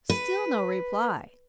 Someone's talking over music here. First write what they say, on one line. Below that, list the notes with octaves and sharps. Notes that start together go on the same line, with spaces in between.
Still no reply.
B4